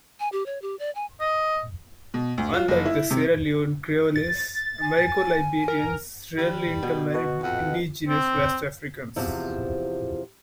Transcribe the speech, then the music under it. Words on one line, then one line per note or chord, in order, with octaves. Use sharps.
Unlike the Sierra Leone Creoles, Americo-Liberians rarely intermarried with indigenous West Africans.
G#5
G4
C#5
G4
D5
G#5
D#5
B2
D2
F4
F#1
E4
C3
A6
G#5
A#4
D#3 G3
B2 G6
F#4 B4 D#5 A5
F2 F#5
C4
E2 C3 F3